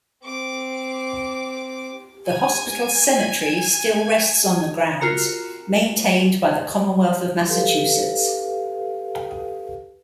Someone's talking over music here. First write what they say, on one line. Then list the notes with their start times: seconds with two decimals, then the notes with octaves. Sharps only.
The hospital's cemetery still rests on the grounds, maintained by the Commonwealth of Massachusetts.
0.24 C4 D6
2.26 G#5 G#6
5.01 F4 F#4 A#4 A#5 C#7
7.49 G4 A4 B4 F5